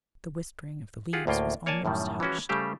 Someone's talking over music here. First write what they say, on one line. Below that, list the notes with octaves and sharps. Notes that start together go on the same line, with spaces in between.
The whispering of the leaves was almost hushed.
F4 G4 G#4 F#5
D2 A2 A#3 F4 G5
A#3 C#5 D5 G#5 A5
F#2 A2 D#3 G3
E3 F3 G#3 C#4 E4 F#4
C#3 G3 A3 G4 C5